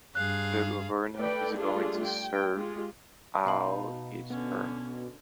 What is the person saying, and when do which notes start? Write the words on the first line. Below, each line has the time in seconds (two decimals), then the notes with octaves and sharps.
The governor is going to serve out his term.
0.15 G2 G#4 F5 F#6
1.17 A3 A4 B4 D5 G5
1.56 G3 A3 D4 F4 G#4
2.03 G5
2.55 G#3 F4 G4
3.46 B2 D#4 D#5 F5 A5 B5
4.30 D3 B3 C#4